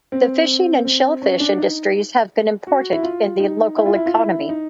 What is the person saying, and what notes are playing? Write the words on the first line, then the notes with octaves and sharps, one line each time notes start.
The fishing and shellfish industries have been important in the local economy.
C4
C4
C#4
D4
D#4
F#4
E4
F4
D#4
E4
F4
E4
F4
E4
D#4